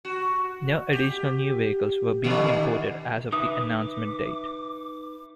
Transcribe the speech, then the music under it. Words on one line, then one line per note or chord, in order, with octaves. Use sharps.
No additional new vehicles were being imported as of the announcement date.
F#4
G4
A#2 D3 E3
D#3
D#4 B4 E5 D6 D#6